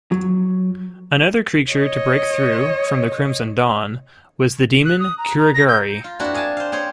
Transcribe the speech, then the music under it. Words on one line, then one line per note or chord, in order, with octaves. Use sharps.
Another creature to break through from the Crimson Dawn, was the demon Kuragari.
F#3
C#5 D#5
F#6
D#6
A#5
A#5
A#6
G6
F4
A#3 C4 D4 E4 F#4
G#4 F5 G#5 A5
C5 F5
C4 G#4 C5 C#5